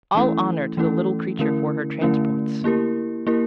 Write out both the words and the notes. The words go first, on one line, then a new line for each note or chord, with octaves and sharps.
All honour to the little creature for her transports!
E3 A3 C#4 E4 A4
E3 A3 C#4 E4 A4
D3 A3 C#4 E4 A#4
D3 A3 C#4 E4 A#4
A#3 E4 G4 A#4
A#3 E4 G4 A#4